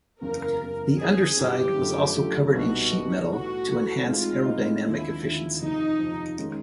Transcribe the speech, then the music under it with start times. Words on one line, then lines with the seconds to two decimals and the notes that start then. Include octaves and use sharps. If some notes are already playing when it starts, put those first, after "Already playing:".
The underside was also covered in sheet metal to enhance aerodynamic efficiency.
0.21 F#1 E2 C#3 A#4
0.60 F#1 E2 C#3
0.98 G1 G2 E3 G#4
1.37 G1 G2 E3 G4
1.75 F#2 D3 F3 A3
2.14 F#2 D3 F3 A3
2.52 C2 B2 G3 B3 D#4 F#4
2.91 C2 B2 G3 B3 D#4
3.29 A1 A2 E3 A3 F#4
3.68 A1 A2 E3 A3
4.06 A2 E3 G#3 C4 D#4 F4
4.45 A2 E3 G#3 C4 D#4
4.84 D#2 D3 F3 E4
5.22 D#2 D3 F3
5.60 F2 C3 F3 D#4
5.99 F2 C3 F3
6.38 D#3 G#3 C#4